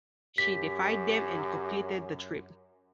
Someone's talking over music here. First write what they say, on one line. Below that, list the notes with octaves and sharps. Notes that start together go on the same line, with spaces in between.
She defied them and completed the trip.
F#2 G4 B6